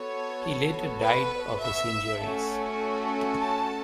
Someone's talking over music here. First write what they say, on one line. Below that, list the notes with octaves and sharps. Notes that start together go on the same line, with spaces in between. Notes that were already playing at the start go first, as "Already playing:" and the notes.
He later died of his injuries.
Already playing: B3 F#4 A4 C#5
B4
E5
A3 C#4 F#4 A4
A5